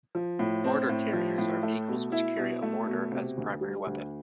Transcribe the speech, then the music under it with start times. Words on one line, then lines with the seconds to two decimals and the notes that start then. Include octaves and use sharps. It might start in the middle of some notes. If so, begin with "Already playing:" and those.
Mortar carriers are vehicles which carry a mortar as a primary weapon.
0.15 F3
0.39 A2
0.64 C4
0.89 A2
1.13 F3
1.38 A2
1.63 A3
1.89 B2
2.12 E4
2.37 B2
2.62 A3
2.87 B2
3.12 C3
3.37 D2
3.61 G3
3.86 D2